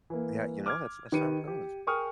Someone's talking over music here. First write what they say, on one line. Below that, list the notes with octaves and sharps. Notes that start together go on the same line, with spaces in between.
Yeah, you know, that's that's how it goes.
E3 A#3
D6 F6 G#6
D#3 G4 B4 C#7 D#7
G4
G#4 A#4 G5 C#6 D#6 F6